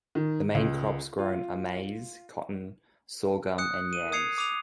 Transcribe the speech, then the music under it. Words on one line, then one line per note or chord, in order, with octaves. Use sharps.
The main crops grown are maize, cotton, sorghum, and yams.
D#3
C#2
F4
D#6 F#6 C#7
D#7
D#6 G#6 C7 C#7 F7
D6 D#6 D#7 F7